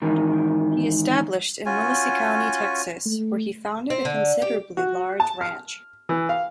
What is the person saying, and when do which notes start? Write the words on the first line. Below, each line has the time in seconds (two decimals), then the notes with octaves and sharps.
He established in Willacy County, Texas, where he founded a considerably large ranch.
0.02 G#2 D#3 E3
1.66 C#4 F4 F#4 G#5
3.06 A3
3.90 C4
4.05 D3
4.42 G4
4.77 F#4
5.20 A5
5.41 F6
6.09 E3
6.29 F5